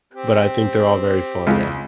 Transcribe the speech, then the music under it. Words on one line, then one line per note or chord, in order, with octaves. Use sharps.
but I think they're all very fun, yeah.
C4 G4
C#2 C#3